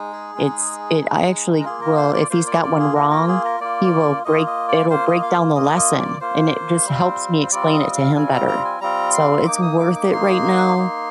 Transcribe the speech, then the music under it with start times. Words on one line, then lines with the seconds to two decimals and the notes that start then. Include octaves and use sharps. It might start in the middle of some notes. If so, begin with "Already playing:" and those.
It's it I actually will if he's got one wrong, he will break it'll break down the lesson, and it just helps me explain it to him better, so it's worth it right now,
Already playing: G#3 D#4
0.12 G#4
0.35 G#3 D#4
1.00 G#3 D#4
1.60 A#4
1.64 A#3 F4 G#4
1.81 A#4
1.97 C5
2.13 D5
2.30 A#3 F4 C5
2.47 D5
2.63 D5
2.79 G#4
2.95 A#3 F4 A#4
3.11 A#4
3.28 G#4
3.45 A#4
3.60 A#3 F4 D5
4.25 A#3 F4 D#5
4.47 D#5
4.68 D5
4.90 A#3 F4 C5
5.07 D#5
5.22 F5
5.55 A#3 F4 D#5
5.77 D#5
5.99 D5
6.21 A#3 F4 C5
6.86 G3 C4 F4
7.42 C5
7.51 G3 C4 F4 D5
7.73 D#5
7.95 F5
8.16 G3 C4 F4 G#5
8.33 A#5
8.48 A#5
8.65 G#5
8.81 G3 C4 F4 A#5
9.13 C6
9.46 A#3 D#4 D6
9.62 D#6
9.79 D6
9.95 D6
10.12 A#3 D#4 C6
10.77 A#3 D#4